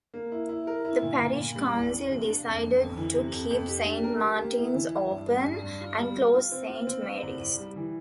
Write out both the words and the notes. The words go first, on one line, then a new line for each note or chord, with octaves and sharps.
The parish council decided to keep Saint Martin's open, and close Saint Mary's.
A#3
E4
E4
A#4
E4
A#2
A#2
A#2
G3
E2
E2
C3
D4
F2
D4
F2
E3
C3
F2
F2
G4
D4
A#4
G4
A#3
E4
E3
E4
G2
G3
G2
G2
F4
G3
F4
F4
C4
F4
C4
C4
C2
C2
G3
E3